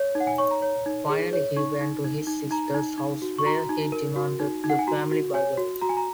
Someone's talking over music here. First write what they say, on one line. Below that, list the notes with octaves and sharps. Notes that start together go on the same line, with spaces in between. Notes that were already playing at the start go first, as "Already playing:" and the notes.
Finally, he went to his sister's house, where he demanded the family Bible.
Already playing: C#5
D#4
F#5
G#5
C#5 C#6
A#5
C#5
D#4
G#4
C#5
D#4 C#6
D#4
D#4
D#4
D#4 A#5
D#4
D#4
F#4
C#6
F#4 A#5
D#4
A#4
F#4
D#4
D#4
F#5
G#5
F#4 A#5
F#4
C#5 G#5
F#4
F#4 A#5
G#5
A#5